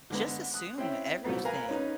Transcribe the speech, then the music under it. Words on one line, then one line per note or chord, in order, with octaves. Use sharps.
just, assume everything
D3 G#3 B3
D#6 F#6
C4 C#4 E4 E5 G5
C2 F3 F#3 A3 B3
A#4 B4 F5 G#5 A#5
C#4 D#4 B4